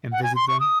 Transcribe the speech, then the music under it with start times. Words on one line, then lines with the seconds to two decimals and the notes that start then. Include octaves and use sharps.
and visit them.
0.12 F#5
0.23 G#5
0.35 C6
0.48 C#6
0.60 D#6